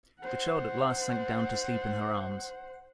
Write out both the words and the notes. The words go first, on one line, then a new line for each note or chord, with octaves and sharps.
The child at last sank down to sleep in her arms.
C5 F#5